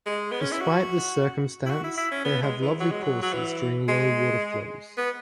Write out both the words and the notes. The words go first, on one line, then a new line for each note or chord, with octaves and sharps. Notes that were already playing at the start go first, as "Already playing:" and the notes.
Despite this circumstance, they have lovely courses during low water flows.
G#3
B3
C#4
E4
F#4
E4
F#4
E4
E4
C#4
B3
G#3
E3
F#3
G#3
F#3
F#3
E3
G#3
B3